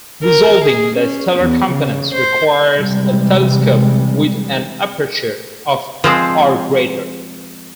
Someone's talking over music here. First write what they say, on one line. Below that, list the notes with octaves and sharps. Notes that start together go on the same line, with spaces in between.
Resolving the stellar components requires a telescope with an aperture of or greater.
A#4
G#4
C#4
E2
C#3
C5
C3 E3 G3 G#3
F3 G#3 C4